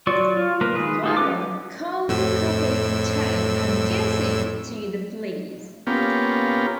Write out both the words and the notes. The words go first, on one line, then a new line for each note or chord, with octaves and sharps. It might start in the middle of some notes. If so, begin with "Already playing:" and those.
However, Carly copies the tape and gives it to the police.
F#3 F4 F#4 D5 C#6
F4
A#3 F4 A#4 B4
D#3 G#3 G#4 B4
A3 D#4 F4
C#4 D#4 B4 D6
F2 A2 E6
A#3 B3 C#4 F4 G4